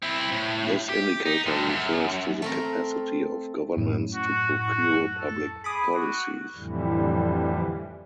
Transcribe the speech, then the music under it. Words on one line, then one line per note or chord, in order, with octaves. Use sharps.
This indicator refers to the capacity of governments to procure public policies.
C4 E4
A2
G4
D#4
G2 D3
F#2
A3 C4 A#4
F#2 A2
F#4
F#4
A4
G#4 B5 D6 D#6
F#4
F2 A2 D3 E3 G3